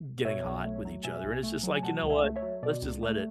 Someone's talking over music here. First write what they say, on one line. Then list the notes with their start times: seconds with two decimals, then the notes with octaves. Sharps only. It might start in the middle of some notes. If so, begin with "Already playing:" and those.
getting hot with each other, and it's just like, "You know what? Let's just let it
0.25 B2 C#5 E5
0.44 B1
0.65 A3
0.85 F#3
1.04 B2 E5 G#5
1.24 B1
1.43 A3
1.63 F#3
1.75 G#5
1.83 B2 F#5 A5
2.03 C#2
2.10 E5 G#5
2.23 A3
2.36 C#5 E5
2.42 F#3
2.63 B2 D5
2.82 C#2
3.03 A3